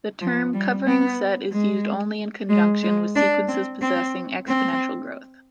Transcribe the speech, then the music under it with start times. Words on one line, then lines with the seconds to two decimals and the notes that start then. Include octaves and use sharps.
The term "covering set" is used only in conjunction with sequences possessing exponential growth.
0.21 F3
0.54 G3
0.86 B3
1.52 G#3
2.50 G#3
2.83 G#3
3.16 D4
3.48 C4
3.81 C4
4.47 C4